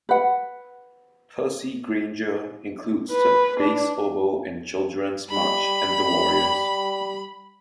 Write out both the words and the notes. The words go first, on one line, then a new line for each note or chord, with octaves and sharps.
Percy Grainger includes the bass oboe in Children's March and The Warriors.
B4 F#5
B4
D4
G3 B5